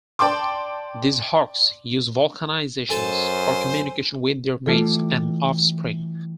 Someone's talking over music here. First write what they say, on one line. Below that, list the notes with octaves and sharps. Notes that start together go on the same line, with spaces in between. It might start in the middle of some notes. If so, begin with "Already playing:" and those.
These hawks use vocalizations for communication with their mates and offspring.
D5 G5 A5 C6 D6
F#2 A4 C5 G#5 A5
E3 G3 A3 E4 F4 A4